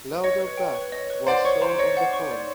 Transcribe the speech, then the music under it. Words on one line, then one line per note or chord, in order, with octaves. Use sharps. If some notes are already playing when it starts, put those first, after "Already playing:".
Louderback was shown on the phone.
C#5 D#5
B4
G5
B4
D#5
B4
C5 D5 F#5
C#5 C#6
C5 A#5
C#5 D#5
F#5
C#6
D5